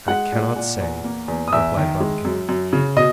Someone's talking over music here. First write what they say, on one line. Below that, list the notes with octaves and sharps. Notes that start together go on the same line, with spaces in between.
"I cannot say," replied Barbicane.
G#3 F#5 F#6
A#2
A#2
E2
A#3
E2
D#6
E2 E5 E6
D#3
G#3
F#2
F#2
C#3
B2 D#5 D#6